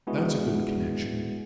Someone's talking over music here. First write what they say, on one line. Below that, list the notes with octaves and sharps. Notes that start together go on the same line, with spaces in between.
'That's a good connexion!
G#3 B3 D4 E4 F#4 G#4